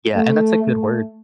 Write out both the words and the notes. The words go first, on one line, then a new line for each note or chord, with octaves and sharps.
Yeah, and that's a good word.
A3
A3